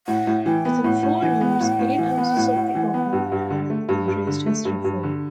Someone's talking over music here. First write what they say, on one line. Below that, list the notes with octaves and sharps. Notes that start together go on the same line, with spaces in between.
Within four years, eight houses of the Order had embraced his reform.
A2 F#5
A2
E3 G5
B3
A2 F#5
A2
E3
B3
A2
A2
E3
B3
A2
A2
E3
B3
G2
G2
D3
A3
G2
G2
D3
A3
G2
G2
D3